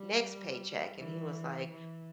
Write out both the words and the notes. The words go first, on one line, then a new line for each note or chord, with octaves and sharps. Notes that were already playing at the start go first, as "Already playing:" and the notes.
next paycheck.” And he was like,
Already playing: G3
E3
E3